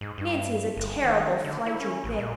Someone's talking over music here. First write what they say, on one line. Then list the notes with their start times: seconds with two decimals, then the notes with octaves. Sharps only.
Nancy is a terrible flighty thing.
0.01 G#2
0.18 G2
0.76 G1
1.04 D#3
1.44 D3
1.66 E4
1.80 C#4
2.04 A1
2.18 A#2